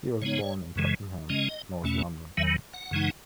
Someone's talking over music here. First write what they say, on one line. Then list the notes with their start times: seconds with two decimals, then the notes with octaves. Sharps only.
He was born in Tottenham, North London.
0.22 C#3 G#3 B3 D#4 C#5
0.76 F#2 C#3 E3 G#3
1.29 C#3 G#3 C#4 D#5
1.84 E2 B2 A3 C#4
2.37 E2 D#3 F#3 E5
2.74 F#5
2.91 F#2 C#3 E3 G#3 D#4